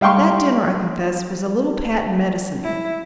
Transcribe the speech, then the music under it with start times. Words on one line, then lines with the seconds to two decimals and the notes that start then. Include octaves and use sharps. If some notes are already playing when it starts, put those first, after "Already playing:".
That dinner, I confess, was a little patent mediciney.
0.01 G3 F5 G5 C6 C#6
2.63 E4